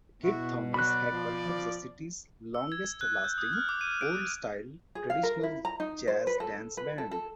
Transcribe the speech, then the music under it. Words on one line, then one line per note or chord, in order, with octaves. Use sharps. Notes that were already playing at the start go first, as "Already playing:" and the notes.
Kid Thomas had perhaps the city's longest lasting old-style traditional jazz dance band.
B2 E4 F#4
F#3 F#4 D5 B5 F#6
F3
E6
G#6
F#6
G6
D#6
F6
D6
D#7
D7
G#4
F5
A#4
E4
A#5
D#4
C5
B4
A4
B4
A4
A4